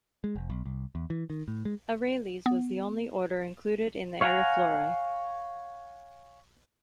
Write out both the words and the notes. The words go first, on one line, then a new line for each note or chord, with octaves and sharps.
Arales was the only order included in the Ariflorae.
G#3
F1
B1
C2
E2
E3
D#3
A2
G#3
B3
C#5 F5 F#5 G#5 A#5